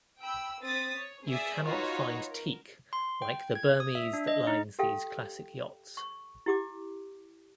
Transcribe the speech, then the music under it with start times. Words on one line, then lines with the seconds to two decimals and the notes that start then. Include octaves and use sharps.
You cannot find teak like the Burmese that lines these classic yachts.
0.20 G5 B5 E6
0.62 C4 D#6 A6 B6
0.96 C#5
1.30 G#4 D5 E5 D#6
1.66 D#4 F4 F#4 B4 C#5
2.30 A#4
2.93 C6
3.22 G5
3.55 G#6
3.80 D#6
3.95 E5
4.13 D4
4.27 D#5
4.47 D#4
4.79 G4 A4 F5 G5
5.97 C#6
6.46 E4 G4 D6